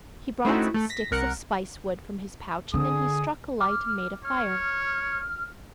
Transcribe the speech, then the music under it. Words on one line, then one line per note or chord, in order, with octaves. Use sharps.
He brought some sticks of spice-wood from his pouch, and then he struck a light and made a fire.
A3 C4 C#4 D#4 E4 F#4
A3 A4
A#6 B6
C2 A#4 F#5 C#7
D3 G#4 D#6
D6 F6
C#5 F6